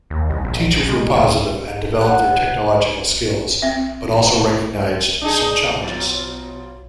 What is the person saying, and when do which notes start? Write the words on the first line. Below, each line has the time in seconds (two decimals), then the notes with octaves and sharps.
Teachers were positive and developed their technological skills, but also recognized some challenges.
0.10 D#2
0.30 C2
0.45 A#1
0.73 A#1
0.88 G#3
1.15 C#2
2.01 F#5
3.62 C4 E5
5.21 D4 D#4 G#4
5.81 B2 F#3 F4